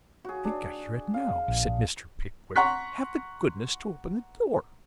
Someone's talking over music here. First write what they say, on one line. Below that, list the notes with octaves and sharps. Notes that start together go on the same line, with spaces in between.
'I think I hear it now,' said Mr. Pickwick. 'Have the goodness to open the door.'
F#4 G#4
D4
F5
A#1
F#5 A#5 C6 C#6 F#6 B6